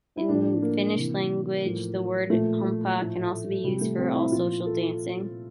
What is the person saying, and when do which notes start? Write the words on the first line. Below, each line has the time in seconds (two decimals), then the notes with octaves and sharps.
In Finnish language, the word humppa can also be used for all social dancing.
0.17 E4
0.29 A2 F3 D4
0.62 A#3
0.96 C3 E3
1.63 A2 F3
2.30 A#2 F3 A3
2.98 A2 F3
3.64 C3 F3 G3
3.81 A3
3.98 C4
4.15 E4
4.31 A#2 F3 F4
4.66 A4